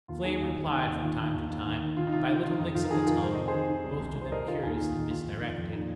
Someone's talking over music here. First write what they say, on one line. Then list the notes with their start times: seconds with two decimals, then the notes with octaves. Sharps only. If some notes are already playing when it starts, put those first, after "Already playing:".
Flame replied from time to time by little licks of the tongue, most of them curiously misdirected.
0.08 D#2 F4
0.24 D#2 D#4 G#4
0.40 D#2
0.56 D#2
0.71 D#3
0.87 D#2
1.03 D#3 F4
1.18 D#3 D#4
1.35 D#2
1.49 D#2
1.66 D#3
1.81 D#3
1.97 D#3 F4
2.07 D#4
2.12 C3 F4
2.28 D#3 D#4
2.43 D#3 F4
2.60 F2 D#4
2.75 F2 F4
2.84 A#4
2.91 D#3 D#4 G#4
3.06 D#3 F4 A#4
3.22 C3 C5
3.35 C3 D#5
3.48 G#4 C5
3.54 D#3
3.69 D#3
3.85 C2
4.01 C2
4.16 C2
4.21 C5
4.32 C2 A#4 D#5
4.48 D#3 F4 A#4
4.63 D#2 D#4 G#4
4.79 D#3
4.95 D#2
5.11 D#3 F4
5.26 F2
5.42 D#3
5.57 F2
5.73 A#2 D#4